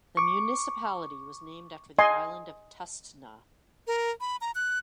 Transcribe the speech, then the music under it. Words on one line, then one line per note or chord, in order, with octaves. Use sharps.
The municipality was named after the island of Tustna.
C#6 D6
D#5 G#5 C6
A#4
B5
A#5
F#6